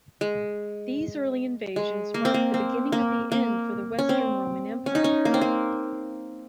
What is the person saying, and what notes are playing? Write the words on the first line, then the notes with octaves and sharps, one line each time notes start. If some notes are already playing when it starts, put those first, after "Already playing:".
These early invasions marked the beginning of the end for the Western Roman Empire.
G#3
G#3
A#3
C4
A#3
C4
A#3
A#3
C#4
C4
C#4
D#4
C#4
A#3
C4
A#3